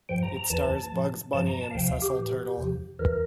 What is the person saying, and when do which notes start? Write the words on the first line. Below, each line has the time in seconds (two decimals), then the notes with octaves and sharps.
It stars Bugs Bunny and Cecil Turtle.
0.09 G2 F3 G5
0.23 A#5
0.37 A#5
0.50 E2 E3 A5
0.92 A2 F3
1.33 G2 F3 A5
1.47 A#5
1.61 A5
1.71 F5
1.75 D2 C3 F3 G5
1.88 F5
2.02 G4
2.17 A2 E3
2.57 E2 C3 F3
2.99 E2 E3 A#4